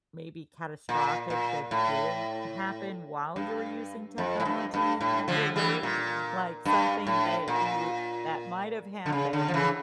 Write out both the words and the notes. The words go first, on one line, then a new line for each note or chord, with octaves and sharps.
maybe catastrophic that did happen while you were using technology at your work? Like, something that you w that might have happened
A#2
A#2
A2
G2
F2
A2
G2
G2
A2
D3 F3
E3 G3
A#2
G2
A2
A#2
D3
C#3
D3
F3
C#3 E3